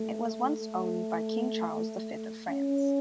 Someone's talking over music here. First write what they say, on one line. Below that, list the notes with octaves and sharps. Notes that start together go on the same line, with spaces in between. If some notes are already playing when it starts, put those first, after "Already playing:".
It was once owned by King Charles the Fifth of France.
Already playing: A3
A3
C#4